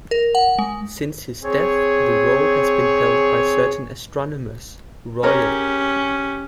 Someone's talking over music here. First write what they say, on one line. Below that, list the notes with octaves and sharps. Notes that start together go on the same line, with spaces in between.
Since his death, the role has been held by certain Astronomers Royal.
A#4
F#5
G#3
C4 G#4 C#5
C#4 G4 G#4 A#4 C#5